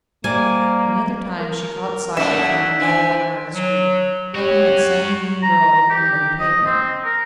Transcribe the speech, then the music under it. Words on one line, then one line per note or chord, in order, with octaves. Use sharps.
Another time she caught sight of him at the corner of the street, helping that same young girl over the muddy pavement.
G3 A#3 C5 D5 G#5
A#4
F#2 A3 A#3 D4 D#4 E5 F#5
E3 D4 C5 G#5
F#3
C#4 F#4 G4 C#5
A#5
G4
D#5
C4
A#4